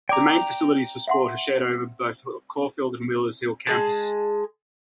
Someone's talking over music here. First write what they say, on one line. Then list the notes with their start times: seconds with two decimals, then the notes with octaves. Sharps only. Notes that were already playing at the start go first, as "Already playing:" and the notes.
The main facilities for sport are shared over both Caulfield and Wheelers Hill campus.
0.09 D5 G5 A#5 D6
1.08 E5 F#5 C6
3.67 G#3 G#4 A5